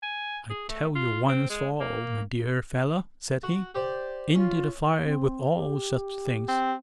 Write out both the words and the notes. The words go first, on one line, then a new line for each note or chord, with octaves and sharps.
I tell you once for all, my dear fellow," said he, "into the fire with all such things!
G#5
G#4
A3
F4
C4
G#3
A#3
F#4
G4 C5 D5
C#4 F4
C4
G4
C4